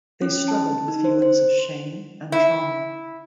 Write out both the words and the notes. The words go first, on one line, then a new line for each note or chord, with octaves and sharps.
They struggled with feelings of shame and trauma.
C#4
A5
D#4
C5
C5
E4